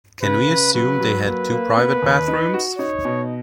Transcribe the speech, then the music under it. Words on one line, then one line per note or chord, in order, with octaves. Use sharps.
Can we assume they had two private bathrooms?
C#3 B4
C#3
F#3 B4
F#3
A#3 B4
A#3
B3
D#2
D#4
F#4
D#4 C#5
B2